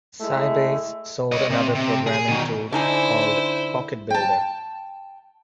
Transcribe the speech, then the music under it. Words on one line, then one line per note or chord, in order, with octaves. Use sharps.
Sybase sold another programming tool called PocketBuilder.
G#3 A3 E4
C#5 D#5
C3
C3
G#4
B2 D#3
D3 D#4 E4 C5 G#5
G5 A5